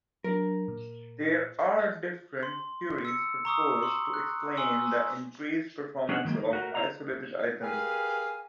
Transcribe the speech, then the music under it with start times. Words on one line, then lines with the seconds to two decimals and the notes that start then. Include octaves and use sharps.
There are different theories proposed to explain the increased performance of isolated items.
0.24 F#3 D4 A#4
0.68 A#2
2.43 C6
3.05 E6 C#7
3.45 A#5 C#6 D#6 E6
3.83 C6
4.14 F#6
4.57 G#5 C6 E6
6.09 C#4 D4 G#4 C5 C#5 F#5
6.25 D#3 F#3 G#3 A#3
6.37 D#4
6.51 A3 F#4 A#4
6.75 E4 F4 C5 C#5 F5 A#5
7.61 G4 G#4 A#4 B4 F5 G#5